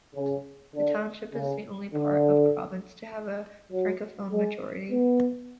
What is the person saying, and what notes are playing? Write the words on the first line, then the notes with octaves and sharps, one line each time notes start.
The township is the only part of the province to have a Francophone majority.
C#3
D3
C#3
D3
F#3
G#3
B3